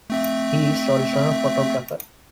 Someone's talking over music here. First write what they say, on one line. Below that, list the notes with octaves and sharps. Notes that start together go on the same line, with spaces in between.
He is also a photographer.
A3 C4 E5